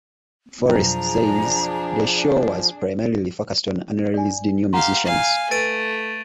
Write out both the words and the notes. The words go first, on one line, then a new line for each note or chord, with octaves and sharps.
Forrest says, The show was primarily focused on unreleased new musicians.
F2 B2 F3 F#3 D4 G#4 A#5
D5 G#5
G4 F5 F#5 A#5 C6
F5 G#5
A3 B4 A6 D7 D#7